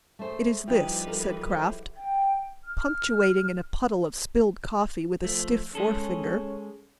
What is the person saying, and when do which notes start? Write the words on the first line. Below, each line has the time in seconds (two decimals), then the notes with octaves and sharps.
"It is this," said Kraft, punctuating in a puddle of spilled coffee with a stiff forefinger.
0.19 A3 G#4 C5 E5
0.68 F3 G3 D#4 E4 G4 B4 F#5 G5
1.07 A4 A#4
1.50 E4 F#4 C5
1.95 G5
2.65 F6
5.24 F3 A3
5.75 G#3 C#4 G#4 A4